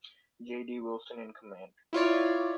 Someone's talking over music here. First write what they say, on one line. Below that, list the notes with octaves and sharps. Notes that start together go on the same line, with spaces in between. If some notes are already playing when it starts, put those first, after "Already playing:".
J. D. Wilson in command.
E4 F4 C#5 D5